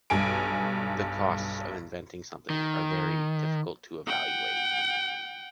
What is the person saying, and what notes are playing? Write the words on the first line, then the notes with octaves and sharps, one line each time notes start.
The costs of inventing something are very difficult to evaluate.
B1 G2 G#5 D7
D#3
F#5 G5